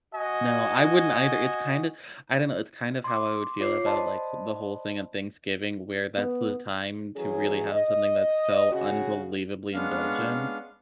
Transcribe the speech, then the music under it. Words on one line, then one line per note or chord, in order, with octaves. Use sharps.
No. I wouldn't either. It's kinda I don't know, it's kind of how I would feel about, like, the whole thing on Thanksgiving, where that's the time to really have something that's so unbelievably indulgent.
F#4 D#5 G#5
C6 D6
F4 C#5 D6 C7
C5 D5 D#5 A5 B5 C6
B3
E3 F#3 C#4 G#4
D#5
C#3 F#4
G#3 B3 C#4 D4 F5